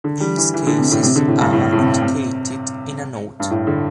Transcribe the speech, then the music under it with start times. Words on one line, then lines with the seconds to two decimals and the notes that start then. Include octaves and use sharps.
These cases are indicated in a note.
0.04 D3
0.20 G3
0.37 E3
0.54 E3
0.67 D3
0.79 C3
0.91 A2
1.03 C3
1.16 D3
1.28 A2
1.41 G2
1.53 A2
1.72 A2
1.78 C3
2.03 C3
3.40 G2
3.50 A2
3.67 D3